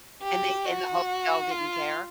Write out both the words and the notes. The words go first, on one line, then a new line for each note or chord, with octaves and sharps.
And they and the hotel didn't care?
G4
F#4
F4